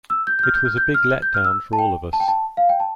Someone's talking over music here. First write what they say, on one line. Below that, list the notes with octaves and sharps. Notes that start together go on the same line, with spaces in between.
It was a big let down for all of us.
E6
G6
G6
F6
G6
F6
G6
F6
G6
F6
E6
A5
G5
A5
G5
A5
F5
G5
A5